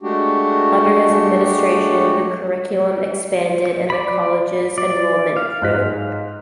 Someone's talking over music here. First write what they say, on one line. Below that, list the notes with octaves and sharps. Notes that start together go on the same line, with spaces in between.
Under his administration, the curriculum expanded and the college's enrollment grew.
G#3 A3 D4 F#4 G4
D5 B5
D5
F5
G#2 F#6 B6